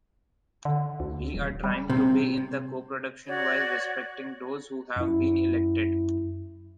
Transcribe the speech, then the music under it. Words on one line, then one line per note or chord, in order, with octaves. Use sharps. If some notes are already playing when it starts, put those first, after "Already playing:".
We are trying to be in the coproduction while respecting those who have been elected.
D3
D2
D#1
G3
C3
F#4 C#5 D5
F#2 E4